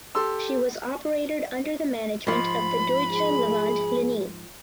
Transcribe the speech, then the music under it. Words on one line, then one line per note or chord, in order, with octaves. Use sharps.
She was operated under the management of the Deutsche Levant Linie.
G4 A4 C6 E6
G#2 F3 B5
G#4